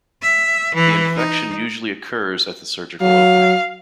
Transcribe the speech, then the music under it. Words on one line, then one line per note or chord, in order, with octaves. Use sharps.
The infection usually occurs at the surgical opening.
E5
E3
D#4
F#3 F5